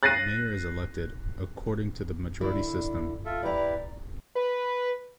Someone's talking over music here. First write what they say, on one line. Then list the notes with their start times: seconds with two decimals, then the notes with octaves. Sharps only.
The mayor is elected according to the majority system.
0.03 F#6 A6 A#6 C7 D#7
2.41 D3 E4 D5
3.25 F4 A4 E5
3.43 E4 G4 B4 D5 A#5
4.35 B4